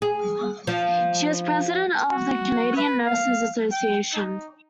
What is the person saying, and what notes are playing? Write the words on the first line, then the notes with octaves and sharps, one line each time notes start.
She was President of the Canadian Nurses Association.
G#4
F3
F#4
B4
F5
G5
D#4